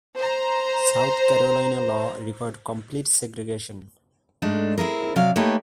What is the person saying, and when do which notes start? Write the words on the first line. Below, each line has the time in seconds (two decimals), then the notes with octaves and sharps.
South Carolina law required complete segregation.
0.17 C5 A#5
4.42 G#2 G#3 A3 D4
4.78 C4 E4 G#4 A#4
5.16 C3 F#3 D5 F5
5.36 A3 A#3 D#4 G4 B4 C#5